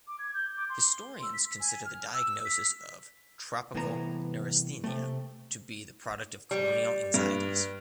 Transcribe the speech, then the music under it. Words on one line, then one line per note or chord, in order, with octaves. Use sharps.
Historians consider the diagnosis of "tropical neurasthenia" to be the product of colonial anxieties.
D6
G#6
G6
D6
C6
E6
B6
G#5
F6
E6
B6
C2 A2 E3 B3 A#4 A#5
C3 A3
G3
G2